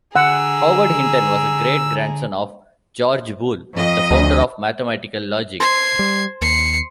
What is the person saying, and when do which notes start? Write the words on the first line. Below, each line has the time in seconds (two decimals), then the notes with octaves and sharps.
Howard Hinton was a great grandson of George Boole, the founder of mathematical logic.
0.16 D3 G#4 F#5 A#5 E6
3.76 F2 D#5
4.11 D2
5.60 C5 G#6 C7
5.99 G3
6.42 D#2 C7 C#7